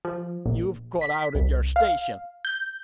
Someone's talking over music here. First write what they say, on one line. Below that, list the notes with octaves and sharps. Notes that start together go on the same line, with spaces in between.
You've got out of your station.
F3
A#1
B6
C2
F5
G6